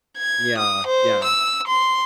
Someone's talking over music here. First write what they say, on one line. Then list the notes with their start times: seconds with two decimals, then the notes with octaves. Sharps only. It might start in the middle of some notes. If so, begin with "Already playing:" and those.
Yeah, yeah.
0.18 G#6
0.58 D#6
0.87 C5
1.24 E6
1.68 C6